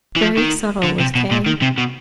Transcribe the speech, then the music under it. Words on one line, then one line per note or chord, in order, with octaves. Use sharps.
Very subtle was Kay.
E3
F3
D#3
D3
C3
B2
A#2
D#3
C3
B2